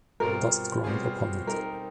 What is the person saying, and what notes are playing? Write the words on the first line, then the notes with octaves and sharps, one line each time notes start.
Dust ground upon it.
B2 G3 C4 F4 A#4
B2 G3 C4 F4 G#4
G3 C4 D#4 A#4